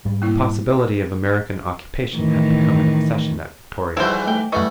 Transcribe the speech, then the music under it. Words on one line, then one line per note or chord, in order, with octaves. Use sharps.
The possibility of American occupation had become an obsession at Victoria.
G#2 G3
A#3 E4
A2 D#3 E3
G#2 E3 F3 G3 E4 F#4 C5
A3 G5
F#2 E3 G3 A3 D#5 F#5 C#6